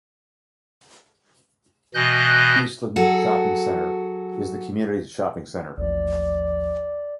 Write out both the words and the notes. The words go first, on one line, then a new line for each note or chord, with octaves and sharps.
Eastland Shopping Center is the community's shopping center.
B2 E3 D#5 F#6 G6
F#3 F#4 G#4 A4
A1 D#2 F3 D5